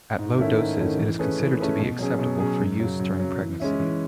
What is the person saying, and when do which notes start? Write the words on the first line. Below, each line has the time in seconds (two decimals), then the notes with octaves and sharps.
At low doses it is considered to be acceptable for use during pregnancy.
0.19 G#2
0.38 D#3 A3 C#4 E4
0.58 G#2
0.78 D#3 A3 C#4 E4
0.99 E3
1.19 A3 C#4 G#4 B4
1.40 E3
1.59 A3 C#4 G#4 B4
1.79 B2
1.99 F#3 C#4 G#4
2.19 B2
2.39 F#3 C#4 G#4
2.59 F#2
2.80 C#3 F#3
3.00 F#2
3.20 C#3 F#3
3.40 E3
3.60 G#3 C#4 E4
3.80 E3